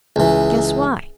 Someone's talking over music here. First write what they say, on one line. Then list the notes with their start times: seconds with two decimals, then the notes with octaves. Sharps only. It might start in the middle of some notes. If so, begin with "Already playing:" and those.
Guess why?
0.16 C#2 E3